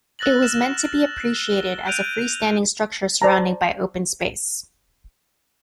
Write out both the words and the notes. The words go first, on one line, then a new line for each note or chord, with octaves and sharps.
It was meant to be appreciated as a free-standing structure surrounded by open space.
E6 F#6 A6 A#6 F#7
F6 E7
G7
F#6 G6 D7 D#7 F7
C5 D5 A5 A#5